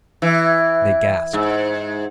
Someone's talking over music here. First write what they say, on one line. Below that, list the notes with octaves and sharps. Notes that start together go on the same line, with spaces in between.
They gasped.
E3
G#2